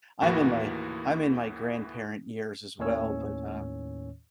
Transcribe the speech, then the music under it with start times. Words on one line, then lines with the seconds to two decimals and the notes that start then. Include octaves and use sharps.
I'm in my I'm in my grandparent years as well, but, um
0.22 D#2 A2 E3 A#3 E4 F#4
2.79 D#2 A2 D#3 C#4 C#5 E6